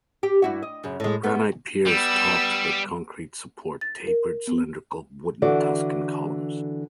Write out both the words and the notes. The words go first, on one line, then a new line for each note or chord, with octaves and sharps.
Granite piers topped with concrete support tapered cylindrical wooden Tuscan columns.
G4
G2 E4 F#4
D#5
F#2 C#3
A2 G#3
A3 B3
G3 B3 E6
A6
A#4
B3
D3 E3 F#4 A4 D5